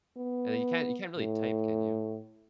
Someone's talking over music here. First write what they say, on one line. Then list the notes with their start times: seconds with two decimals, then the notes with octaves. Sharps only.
And then you can't you can't really type, can you?
0.17 B3
1.18 A2